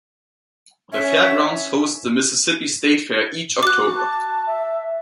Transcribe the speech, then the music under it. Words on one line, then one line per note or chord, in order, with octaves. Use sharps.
The Fairgrounds hosts the Mississippi State Fair each October.
C#4 E5
F#4 D6 F#6
A5
E5